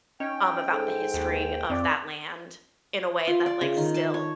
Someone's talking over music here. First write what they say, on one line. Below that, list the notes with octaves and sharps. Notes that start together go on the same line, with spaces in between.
um, about the history of that land in a way that, like, still
C#4 D#4 G5
G#2 A4
D#2
F2 C4 D5 D6
F4
D5
C#3
D#3
A5
C#5